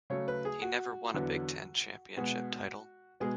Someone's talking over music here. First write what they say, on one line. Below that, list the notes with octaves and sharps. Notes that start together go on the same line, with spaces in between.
He never won a Big Ten championship title.
C#3 F#3 A3 C#5
B4
G#4
F#4
E2 D3 F#3 B3
B2 G#3 B3 F#4
B2 G#3 B3 G#4